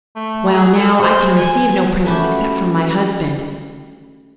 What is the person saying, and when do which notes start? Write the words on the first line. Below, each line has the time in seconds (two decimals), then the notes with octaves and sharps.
While now I can receive no presents except from my husband.
0.16 A3
0.54 G#4
0.77 A4
1.02 C5
1.37 G#5
2.05 A3 C#4 E4 F#4 G4